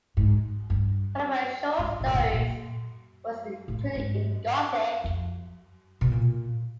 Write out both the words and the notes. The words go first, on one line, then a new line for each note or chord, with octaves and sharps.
One of her short stories was included in Gothic!
G#2
G2
G#2
A2
A#2
B2
A#2
A#2
A2
G#2
F2
B2
A#2